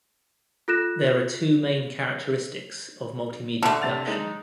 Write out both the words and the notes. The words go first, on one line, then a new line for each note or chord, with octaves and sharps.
There are two main characteristics of multimedia production.
F4 A4 F#6 A#6 E7
B2 D3 A3
C3 A6 F7
G#3 D#4